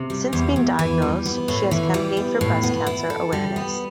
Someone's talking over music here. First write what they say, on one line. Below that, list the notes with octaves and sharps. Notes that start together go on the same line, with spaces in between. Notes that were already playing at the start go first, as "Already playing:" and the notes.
Since being diagnosed, she has campaigned for breast cancer awareness.
Already playing: C3
G3
E2
E2
E3
G3
B3
A2
E3
G3
B3
A2
B3
E4
A4
G3
B3